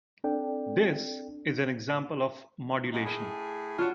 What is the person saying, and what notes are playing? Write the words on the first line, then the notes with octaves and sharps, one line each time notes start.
This is an example of modulation.
C4 D4 A4 D5 G5
F#2 D#4
A2 G#4
D4 F4 F#4 C#5